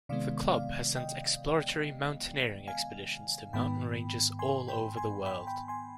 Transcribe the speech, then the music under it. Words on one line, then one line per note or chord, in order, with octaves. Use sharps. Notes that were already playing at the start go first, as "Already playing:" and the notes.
The club has sent exploratory mountaineering expeditions to mountain ranges all over the world.
C3 D#3 G#3 B3 D5 F5
D5 F5
D#5 G5
F5 G#5
G#2 D#3 B3 G5 B5
G#5 C6
G5 B5
G#5 C6
G5 B5
G5 B5
G#5 C6